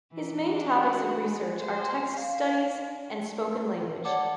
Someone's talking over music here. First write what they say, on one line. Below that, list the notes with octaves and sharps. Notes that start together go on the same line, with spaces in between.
His main topics of research are text studies and spoken language.
E3
D4
F#4
G#3
C5
F5
C#5 D5 F#5 A5 D6